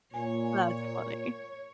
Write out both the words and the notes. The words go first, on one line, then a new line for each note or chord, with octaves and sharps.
That's funny.
A#2 C#5 G#5